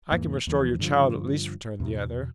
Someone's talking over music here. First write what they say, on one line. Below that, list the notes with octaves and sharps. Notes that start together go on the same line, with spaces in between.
"I can restore your child at least," returned the other.
E2 G#2 E3 A#3
D#2 E3 F3
G2 D3 F3
E2 B2